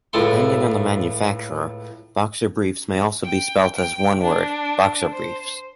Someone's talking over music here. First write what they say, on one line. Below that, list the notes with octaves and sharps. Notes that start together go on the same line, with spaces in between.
Depending on the manufacturer, boxer briefs may also be spelled as one word: boxerbriefs.
C#2 A2 A3 C6
G5
G5
D4
C5